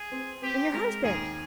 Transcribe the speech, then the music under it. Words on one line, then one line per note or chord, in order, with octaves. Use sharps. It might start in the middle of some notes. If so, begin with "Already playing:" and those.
And your husband?
Already playing: G#4
C4
C4 G4
G#3 A#4
D#2 G#4